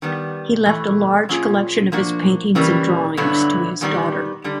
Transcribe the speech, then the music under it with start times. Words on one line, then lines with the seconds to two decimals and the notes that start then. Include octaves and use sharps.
He left a large collection of his paintings and drawings to his daughter.
0.02 D#3 G3 B3
0.65 A2 E3 A3
1.29 F#3 A#3 C#4 F4 G#4
1.92 F3 A#3 D4 F#4
2.55 C#3 E3 G3 A#3 C#4
3.17 G2 D3 F#3 B3 E4
3.81 G#2 D#3 G3 B3 D#4
4.44 D3 G3